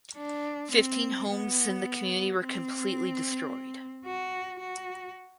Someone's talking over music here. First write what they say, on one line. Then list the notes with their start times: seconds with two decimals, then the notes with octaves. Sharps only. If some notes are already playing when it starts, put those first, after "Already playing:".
Fifteen homes in the community were completely destroyed.
0.16 D4
0.71 C4
1.27 B3
2.39 C4
4.05 F#4
4.60 F#4